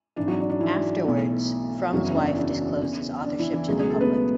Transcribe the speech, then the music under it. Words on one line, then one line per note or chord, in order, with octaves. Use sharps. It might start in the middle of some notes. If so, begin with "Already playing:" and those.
Afterwards, Frum's wife disclosed his authorship to the public.
G#1 G#2 E3 D4 D5
F#3 F#4
D4
D4
E3 E4
B1 B2 A3
F#1 E2 C#3 E3 F#3 F#4
D4
E3 E4
E2 C#3 E3
D4
E3 E4
E3 E4
C#2 B2 F#3 G#3 A3 G#4
G#3 G#4
A3 A4
B3 B4